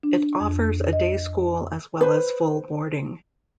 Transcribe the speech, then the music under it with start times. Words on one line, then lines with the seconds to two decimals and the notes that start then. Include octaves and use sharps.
It offers a day school as well as full boarding.
0.03 D4
0.40 F2
0.93 D#5
2.01 B4 C5